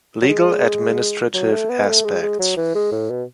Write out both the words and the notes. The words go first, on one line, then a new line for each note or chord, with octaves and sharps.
Legal administrative aspects.
F#3
G#3
F#3
A3
B3
A3
G#3
G#3
F#3
E3
G#3
A2
B2